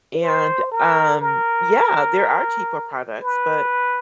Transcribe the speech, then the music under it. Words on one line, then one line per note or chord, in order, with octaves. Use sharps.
and, um, yeah, there are cheaper products, but
C5
A#4
A#4
B4